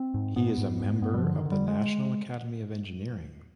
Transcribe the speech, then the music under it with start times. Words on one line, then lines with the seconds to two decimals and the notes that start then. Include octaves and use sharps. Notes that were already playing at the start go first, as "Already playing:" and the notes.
He is a member of the National Academy of Engineering.
Already playing: C4
0.14 G#2
0.36 G#2 B3
0.58 G#2
0.80 G#2
1.02 G2 B3
1.14 G3
1.18 F3
1.24 D3
1.35 D#3
1.46 D3
1.52 G3
1.68 G#3